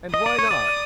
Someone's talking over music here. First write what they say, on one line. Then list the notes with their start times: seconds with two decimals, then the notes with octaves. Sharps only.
"And why not?"
0.13 D#5 D#6
0.26 D5
0.39 C#5
0.51 D5